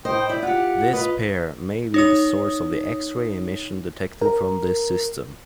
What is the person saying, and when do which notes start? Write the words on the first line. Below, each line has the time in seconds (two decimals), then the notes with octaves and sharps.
This pair may be the source of the X-ray emission detected from this system.
0.05 A2 C5 D#5 G5
0.29 E4 D5
0.43 F4 G4 F#5
0.92 F4 B4 D#5
1.94 D#4 C#5 D#6
4.22 A#4